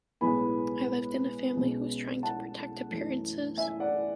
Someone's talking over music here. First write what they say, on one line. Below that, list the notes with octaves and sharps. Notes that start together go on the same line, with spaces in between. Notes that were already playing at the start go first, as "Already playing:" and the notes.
I lived in a family who was trying to protect appearances.
B1 A2 G#3 B3 G#5 B5
B1 B2 G#3 C#4
F#5 A5
F#2 E3 A3
E5 G#5
D5 F#5